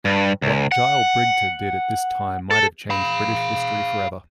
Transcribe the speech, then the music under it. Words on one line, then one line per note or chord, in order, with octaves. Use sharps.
What Gille Brigte did at this time might have changed British history for ever.
G2
C#2
F#5
A4
F5 B5